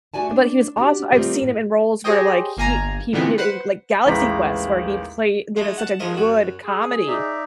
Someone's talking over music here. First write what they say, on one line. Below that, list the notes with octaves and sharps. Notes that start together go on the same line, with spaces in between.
But he was also I've seen him in roles where, like, he he played in, like, Galaxy Quest, where he played did a such a good comedy
A3 F#4 D5 G#5 A5
D4
D4 D#4 F#4 G4
D#3 G3 A3 A#3 C4 F4
A2
G4 G#4 C5 C#5 D#5 G5
G1 A#3 G#5 A#5
A#2 D3 E3 G#3 B3 C4
B4 C5 F#5
A1 D#2 G#3 B4 A#5 B6
G#3 A3 D#4
F#5 A5
G#2 F3 A#4 D#5 C#6
F#2 F#4
G#4
D#4 D5 E5